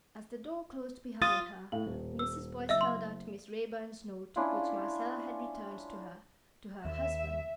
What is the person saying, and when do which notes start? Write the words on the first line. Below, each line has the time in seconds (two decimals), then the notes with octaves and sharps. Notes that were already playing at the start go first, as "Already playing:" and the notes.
As the door closed behind her, Mrs. Boyce held out Miss Raeburn's note, which Marcella had returned to her, to her husband.
1.22 F4 D#6 A6
1.72 A2 F5 F#7
1.86 D#1
2.19 E6
2.69 F#1 D#5 E5 E6
2.81 C6
4.36 C#4 D4 E4 F4
6.85 D#2 E5